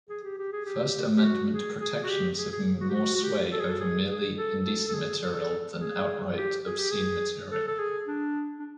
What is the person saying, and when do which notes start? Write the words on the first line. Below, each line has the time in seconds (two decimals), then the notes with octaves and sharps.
First Amendment protections have more sway over merely indecent material than outright obscene material.
0.09 G#4
0.24 G4
0.38 G4
0.52 G#4
0.66 G4
1.17 G4
1.23 F#4
1.52 G#4
1.80 G#4
2.03 F#4
2.09 G4
2.38 G#4
2.52 G#4
2.80 F#4
2.89 G4
2.94 F#4
3.15 F#4
3.23 G4
3.52 A4
3.60 G#4
3.70 A4
3.80 G#4
4.09 G#4
4.37 A4
4.65 A4
4.88 A4
4.94 G#4
5.19 G#4
5.23 A4
5.80 G#4
6.37 G4
6.65 G#4
6.78 G4
6.91 G#4
7.51 A4
7.68 A4
7.79 G#4
8.07 D4
8.59 D4